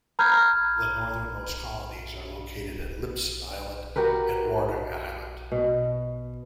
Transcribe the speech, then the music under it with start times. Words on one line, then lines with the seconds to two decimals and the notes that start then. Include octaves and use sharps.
The northernmost colonies are located at Lipson Island and Wardang Island.
0.19 A#5 B5 F6 G6 G#6
3.96 F#4 G4 A#4 B4
5.52 B2